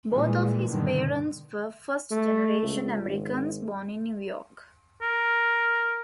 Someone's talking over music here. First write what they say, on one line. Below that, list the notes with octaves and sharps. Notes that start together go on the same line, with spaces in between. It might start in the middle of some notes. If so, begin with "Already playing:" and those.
Both of his parents were first-generation Americans born in New York.
A#2 E3 G3 G#3
G2 B2 D3 D#3
A3
C#2
G#1
A#4